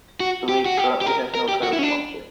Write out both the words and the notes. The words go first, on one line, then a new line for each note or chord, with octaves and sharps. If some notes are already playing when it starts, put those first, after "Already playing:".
The league currently has no title sponsor.
F#4
G4
F#4
G4
G4
A#4
A#4
G4
F#4
E4
C#4
D4